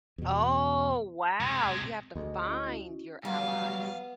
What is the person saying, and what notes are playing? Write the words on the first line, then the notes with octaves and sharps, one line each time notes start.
Oh, wow, you have to find your allies?
E2 B2
C3 G#3
D2 G#3
C#4 E4 F#4
F#3 G3 B3 F5